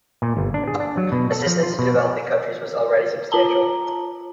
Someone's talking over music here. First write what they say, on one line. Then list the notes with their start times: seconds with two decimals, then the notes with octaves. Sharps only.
Assistance to developing countries was already substantial.
0.22 A#2
0.37 G1
0.54 D4
0.68 G#4
0.80 D4
0.97 F#3
1.12 B2
1.32 A4
1.47 F3
1.63 F4
1.79 B2
1.98 C#5
3.32 F4 A5 A#5